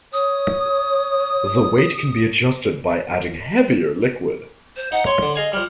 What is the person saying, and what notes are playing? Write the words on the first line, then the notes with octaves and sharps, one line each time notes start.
The weight can be adjusted by adding heavier liquid.
C#5 D#6
C5
D#4 F#5
C#5 C6
D3
G#4 D#5 F5 G#5
F3 G3 F6